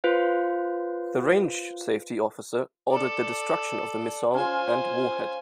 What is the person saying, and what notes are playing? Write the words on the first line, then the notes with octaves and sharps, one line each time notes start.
The range safety officer ordered the destruction of the missile and warhead.
F4 B4 C5 F5
A4 D5
C#4 F4 C5 G#5